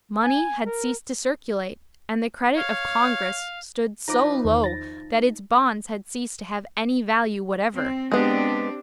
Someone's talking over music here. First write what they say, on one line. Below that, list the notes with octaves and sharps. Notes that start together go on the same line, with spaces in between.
Money had ceased to circulate, and the credit of Congress stood so low that its bonds had ceased to have any value whatever.
G#5
A#4
C#5 F5
F3 D#4 B4 A#5 D6 A#6
E2 D#3
A6 A#6
C4
G#3 B3 C4 D4 G4